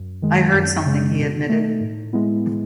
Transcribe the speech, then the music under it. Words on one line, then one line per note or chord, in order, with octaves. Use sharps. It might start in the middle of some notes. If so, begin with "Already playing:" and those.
"I heard something," he admitted.
Already playing: F#2
D#3 G#3
F#2
C#3 G#3
B2
A3 D#4
A2
G#3 B3 E4